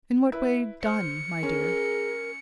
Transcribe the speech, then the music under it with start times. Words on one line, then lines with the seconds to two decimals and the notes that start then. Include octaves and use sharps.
"In what way 'done,' my dear?"
0.32 E4 B4
0.83 C5 F6 C#7
1.43 C#4 G#4 A#4